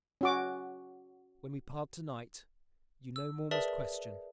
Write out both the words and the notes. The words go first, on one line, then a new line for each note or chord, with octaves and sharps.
When we part to-night, you no more must question.
C#4 F#4 D6
E6
G#4 A#4 B4 D5 E5 A5